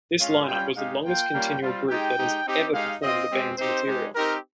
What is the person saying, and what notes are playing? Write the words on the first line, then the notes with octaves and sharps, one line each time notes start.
This line-up was the longest continual group that has ever performed the band's material.
G#3 C#4 F4 F5
G3 C#4 F4 G5
G#3 D#4 G4 F5
A#3 F4 G5
G3 A#3 C#4 F4
G3 C4 F4
G#3 D#4 G4 G5
G#3 D#4 G4
C4 D#4 G4
G#3 D#4 G4 F5
C4 F4 D#5
G#3 C4 G4
C4 D#4 G4 C5
G#3 D#4 G4
C4 D#4 G4 A#4